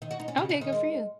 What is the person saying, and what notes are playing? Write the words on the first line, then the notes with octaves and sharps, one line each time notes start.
Okay, good for you.
D#3
F#4
D#4
C#4
C#3
C#3
D#3
G#3